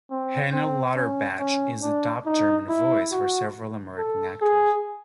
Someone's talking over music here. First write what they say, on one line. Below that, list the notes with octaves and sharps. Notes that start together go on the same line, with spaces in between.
Heiner Lauterbach is the dubbed German voice for several American actors.
C4
C4
C#4
C#4
D4
D#4
E4
F#4
A4
G#4